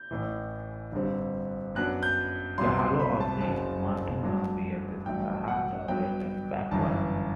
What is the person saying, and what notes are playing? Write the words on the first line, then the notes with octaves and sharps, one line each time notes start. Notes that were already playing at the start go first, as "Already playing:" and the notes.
The halo of the Madonna bears the Shahada written backwards.
Already playing: G6
A1 A2 E3
G1 G2 D3 G3 C4
F#2 F#3 B3 D4 F#6
G6
C2 C3 F#3 B3 C6
C6
B5
A5
F#1 F#2 F#3 C4 A5
G2 F#3 A3 D4
A1 G2 F#3 A3 G5
F#5
G2 F#3 B3 G5
G1 F#2 E3 A5